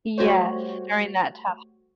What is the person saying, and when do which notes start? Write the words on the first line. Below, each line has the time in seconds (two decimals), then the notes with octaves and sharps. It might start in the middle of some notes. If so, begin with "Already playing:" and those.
Yes, during that tough
0.18 G3 A3 F#4 G4 C5 C#5